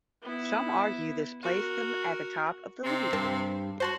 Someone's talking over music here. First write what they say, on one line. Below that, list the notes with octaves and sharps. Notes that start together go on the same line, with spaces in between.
Some argue this placed them at the top of the league.
B3 E4
F#4 A#4
C3 C4
G2 A#4 A5
F#4 C5 A5 C6